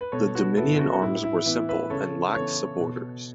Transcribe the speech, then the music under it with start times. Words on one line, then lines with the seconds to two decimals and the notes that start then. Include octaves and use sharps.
The Dominion Arms were simple and lacked supporters.
0.01 B4
0.12 B2 A4 C#5
0.35 F#4 B4
0.57 B3 E4 A4
0.76 A4
0.79 C#4 F#4
0.92 F#4
1.02 A2 E4
1.24 E4
1.45 E3 B3 E4
1.69 B4 E5
1.90 C#3 A4 C#5
2.34 E3 B3 A4 C#5
2.80 B2